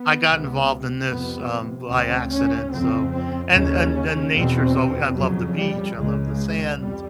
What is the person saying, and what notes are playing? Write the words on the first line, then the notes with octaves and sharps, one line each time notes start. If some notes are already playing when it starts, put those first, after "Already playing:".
I got involved in this, um, by accident so and and and nature's alw I love the beach, I love the sand,
Already playing: B3
C#2 C3
F2 C3 B3
D2 C#3 C4
C#4
F2 C#3 C4
C4
D#2 C#3 C#4
E2 B2 C4
F2 C#3 F#3
G3
C#2 C#3 G#3
F2 G3